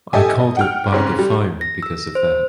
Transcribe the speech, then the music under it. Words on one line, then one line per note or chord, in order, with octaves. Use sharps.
I called it "By the Fire" because of that.
G4 A4 D#5 E5 G#5
D#5
F#5 G5 F6
G#2 C#3 C4 C#4
G3
A#6
E6
C5